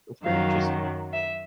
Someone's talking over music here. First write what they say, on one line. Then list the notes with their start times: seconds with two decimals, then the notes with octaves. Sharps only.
That's very interesting.
0.23 F#2 D#3 F#3 F5
1.12 E5